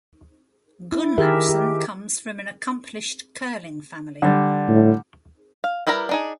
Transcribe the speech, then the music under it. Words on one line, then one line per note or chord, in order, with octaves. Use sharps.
Gunnlaugson comes from an accomplished curling family.
E4
D#3 G4 G#4 A#4 E5
G4
D3 G3
A2
F5
G3 E4 A#4 B4 A#5
D4 D#4 G#4